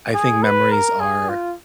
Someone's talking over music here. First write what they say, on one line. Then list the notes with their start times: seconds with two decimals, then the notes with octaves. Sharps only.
I think memories are
0.14 G#4
0.43 B4
0.71 A#4
1.00 G#4
1.29 F4